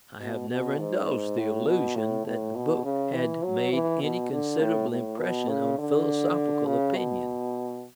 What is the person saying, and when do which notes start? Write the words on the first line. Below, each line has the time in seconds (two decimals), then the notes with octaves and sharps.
I have never indulged the illusion that the book had made any considerable impression on philosophical opinion.
0.20 B2
0.50 B2
0.79 G#2
1.38 A2
1.67 B2
1.96 A2
2.26 A2
2.55 B2
2.84 C#3
3.14 E3
3.43 F#3
3.72 E3
4.02 B2
4.31 D3
4.60 A2
4.90 A2
5.19 B2
5.49 C#3
5.78 D3
6.66 C#3
6.96 B2